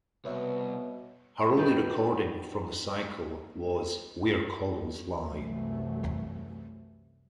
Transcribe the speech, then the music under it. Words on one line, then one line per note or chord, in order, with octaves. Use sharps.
Her only recording from the cycle was "Where Corals Lie".
C2 B2 B4 C#5 E5
D4 D#4 F#4 G4 B4
C2 F#2 E3 F#3 A3